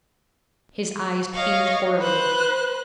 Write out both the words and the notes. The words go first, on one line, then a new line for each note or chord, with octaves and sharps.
His eyes pained horribly.
C#5 D#5 F5 C#6
B4 C5 F#6